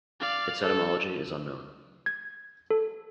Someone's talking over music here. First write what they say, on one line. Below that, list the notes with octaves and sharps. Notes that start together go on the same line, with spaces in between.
Its etymology is unknown.
D5 F5
A4
G#6
A4